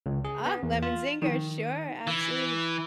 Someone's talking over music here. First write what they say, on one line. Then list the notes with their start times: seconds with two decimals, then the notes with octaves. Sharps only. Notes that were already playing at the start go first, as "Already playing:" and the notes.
Ah, lemon zinger, sure, absolutely.
0.06 C#2
0.25 G#4
0.46 B3
0.63 E2
0.82 F4
1.22 D#3
2.07 E3